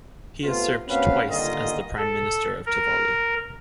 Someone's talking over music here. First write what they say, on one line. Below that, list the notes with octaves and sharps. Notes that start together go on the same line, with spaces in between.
He has served twice as the Prime Minister of Tuvalu.
C3 A3 B3 F4
A#3 C4 C#4 F#4 B4 F5
G2 A#2 D3 D#3 F4 D#5
A4
A#4